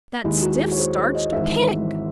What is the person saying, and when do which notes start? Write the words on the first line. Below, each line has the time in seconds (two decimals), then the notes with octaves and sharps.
'That stiff-starched PIG!'
0.24 D#2 D#3 G#3 E4
0.42 F#4
0.61 G#4
0.72 C#5
0.78 C5
0.96 C#5
1.15 D#5
1.32 G#1 G#2 E3 E5